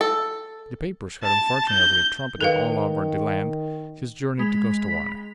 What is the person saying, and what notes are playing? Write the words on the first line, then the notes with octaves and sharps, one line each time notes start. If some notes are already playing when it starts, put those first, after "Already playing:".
The papers had unfortunately trumpeted all over the land his journey to Costaguana.
A4
A5
G6
D#3 A4 B4 F5
G#3 B5 F7